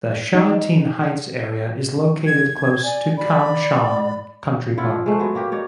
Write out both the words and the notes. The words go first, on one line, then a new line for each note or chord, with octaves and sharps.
The Sha Tin Heights area is located close to Kam Shan Country Park.
D#4
G#6
D5 G#5
D5 B5
E4 F4 F#5
F3
G#3 A3 C5
F#3 B3
A#3 F#4 G4 B4
D#4 C#5 D5